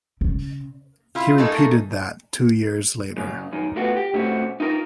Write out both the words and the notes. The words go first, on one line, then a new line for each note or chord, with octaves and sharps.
He repeated that two years later.
C#3
E4 F4
A3 A#3 D#4 G#4 A4
F#2 A#2 C#3
F#2 D#3
A2 A3 B3 F4 F#4
G4
A#2 A3 C4 C#4 F#4
D#4 F4 A#4